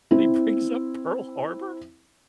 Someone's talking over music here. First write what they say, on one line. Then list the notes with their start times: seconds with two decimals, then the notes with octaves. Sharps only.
And he brings up Pearl Harbor,
0.11 C4 E4